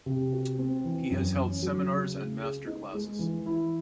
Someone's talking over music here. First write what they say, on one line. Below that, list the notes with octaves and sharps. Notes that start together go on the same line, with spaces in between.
He has held seminars and master classes.
C3
F#4
C4
E3
F#2
C#4
F#3
C#3
C#3
G#4
D#4
G#3
E3
E4